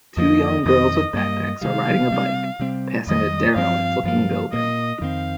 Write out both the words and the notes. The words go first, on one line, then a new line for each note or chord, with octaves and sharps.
Two young girls with backpacks are riding a bike, passing a derelict looking building.
F2 F3 A#3 D#5
F2 D#3 C4 D#5
G2 G3 A#3 D#5
C3 D#3 G3 F5
C3 G3 C4
C3 G3 C4
F2 D#3 G3 D#5
G2 F3 C4 F5
G2 F3 A#3 F5
A#2 A#3 D#5
F2 D#3 C4 F5